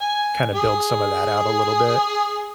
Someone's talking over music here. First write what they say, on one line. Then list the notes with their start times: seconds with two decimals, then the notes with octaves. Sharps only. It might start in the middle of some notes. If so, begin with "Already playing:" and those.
kinda build some of that out a little bit.
0.01 G#5
0.55 G#4